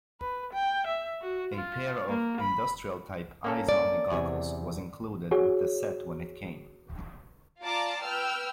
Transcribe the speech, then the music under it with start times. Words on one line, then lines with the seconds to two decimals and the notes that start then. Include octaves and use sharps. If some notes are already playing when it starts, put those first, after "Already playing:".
A pair of industrial-type eyes-only goggles was included with the set when it came.
0.21 B4
0.54 G5
0.88 E5
1.22 F#4
1.55 F4
2.08 A#3
2.41 B5
3.45 A#3 C#4 A4
3.69 D5
4.12 E2 C3 G#5
5.31 F#4 G#4 C#5
7.61 F4 D5 F5 A5 A#5 D6
8.04 B4 G5 E6 F6